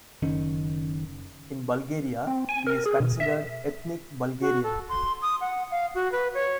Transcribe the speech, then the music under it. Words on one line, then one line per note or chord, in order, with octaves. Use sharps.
In Bulgaria he is considered Ethnic Bulgarian.
F#1 D#3 C#4
C4
G#5
A#4
G#4
B2
E5
F#4
A4
C6
D#6
F#5
F5
F#4
B4
C#5